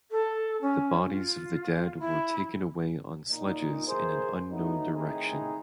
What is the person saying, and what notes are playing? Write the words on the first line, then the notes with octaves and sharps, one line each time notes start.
The bodies of the dead were taken away on sledges in an unknown direction.
A4
C#4
F4
E4
A#2 D#4
E2 E3 G#4 A#4 C5
F#3 A3 B3 D#4
A2 D#3 C4 D#4 E4 G#4